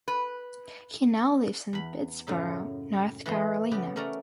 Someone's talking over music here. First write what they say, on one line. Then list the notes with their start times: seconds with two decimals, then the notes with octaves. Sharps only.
He now lives in Pittsboro, North Carolina.
0.08 B4
1.73 E2 B5
2.27 F#2 A2 C#3 D#4 E5
3.26 E3 A3 B4 C5
3.71 C#3 B3 G4
3.96 A3 C#4 A#4 D5 A#5